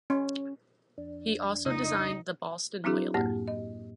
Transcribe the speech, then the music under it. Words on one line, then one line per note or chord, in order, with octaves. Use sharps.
He also designed the Boston Whaler.
C#4
F2 D4
C#2 D#4 D#5
F#3 C4 D4 E4 F#4 G#4
F#2 A2 A#3 G4 A#6
D#5